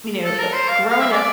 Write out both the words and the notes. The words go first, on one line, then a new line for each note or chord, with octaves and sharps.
you know, uh, growing up
A4
A#4
C5
F5
F5
E5
D5